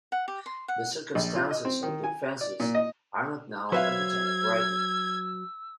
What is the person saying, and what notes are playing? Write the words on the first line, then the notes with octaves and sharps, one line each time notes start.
The circumstances of the offences are not known at the time of writing.
F#5
G4
C6
F#5
A#1
F4
D#5
C4
D#3
G#5
D5
A#2
D#5
F#3 B4 C5 E5 F5 E6 G#6